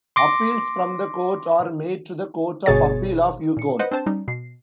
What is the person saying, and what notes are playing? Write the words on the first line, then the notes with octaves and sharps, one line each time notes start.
Appeals from the court are made to the Court of Appeal of Yukon.
C6 D6 A#6
G1 B2 G#4 C#5 A6
A#2 C#7
B4 C5 D#5 F#5
C4 D4 C5 A5
G3 C#4 D#4
B2 C7